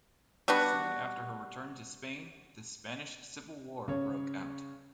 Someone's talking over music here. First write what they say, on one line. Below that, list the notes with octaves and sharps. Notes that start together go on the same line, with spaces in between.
Soon after her return to Spain, the Spanish civil war broke out.
G3 B3 D4 F#4
C#3 C#5